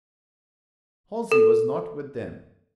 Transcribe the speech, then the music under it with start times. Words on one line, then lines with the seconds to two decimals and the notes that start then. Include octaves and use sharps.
Halsey was not with them.
1.32 A4